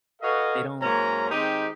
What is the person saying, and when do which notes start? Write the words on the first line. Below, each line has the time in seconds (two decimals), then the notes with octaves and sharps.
they don't,
0.22 F#4 A4 B4 C#5 D#5 F5
0.82 G#2 F#3 A#3 C#4 C#5 A#5
1.30 D#3 G#3 C4 D#4 G4